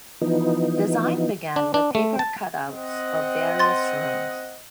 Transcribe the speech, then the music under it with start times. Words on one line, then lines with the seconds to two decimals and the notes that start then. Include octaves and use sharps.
Design began with paper cut outs of various rooms.
0.21 E3 F3 B3 D#4
1.56 D4
1.74 D4
1.95 A3
2.19 A5
2.70 C4 D#5 F#5
3.59 C6 A6